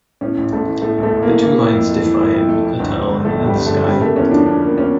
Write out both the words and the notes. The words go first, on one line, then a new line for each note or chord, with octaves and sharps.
The two lines define a "tunnel in the sky".
A2 C#4
A1
A1 A3
E3
A2 A3
A1
A3
A1
A#3
E3
E3 A#3
E4
F2
A3
E3
E4
F2
A3
F2
G1
G1
D3
F2 A3
G1
G3
G1
D3 A3
C#3 G3
A3 A#3
E2 C#4
F3 D4
C#3 D4
A#3
C#4